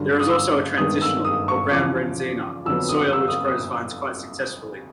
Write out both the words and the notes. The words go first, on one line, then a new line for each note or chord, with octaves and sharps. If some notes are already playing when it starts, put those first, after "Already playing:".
There is also a 'transitional', or brown rendzina, soil which grows vines quite successfully.
Already playing: G2 D3 F#3
D#6
E6
G2 D#3 G#3 B3 D#6
E6
D#6
C#6
E2 C#3 F3 D6
F2 D3 F#3 B3 E6
D#6
E6
D#6
D#6